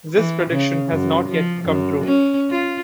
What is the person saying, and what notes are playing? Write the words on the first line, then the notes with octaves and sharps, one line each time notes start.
This prediction has not yet come true.
E3
C#3
F#2
F3
F#2
C#4
F4